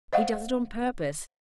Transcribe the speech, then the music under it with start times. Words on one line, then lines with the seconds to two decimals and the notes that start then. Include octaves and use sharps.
He does it on purpose.
0.13 C5 D#5 F5 F#5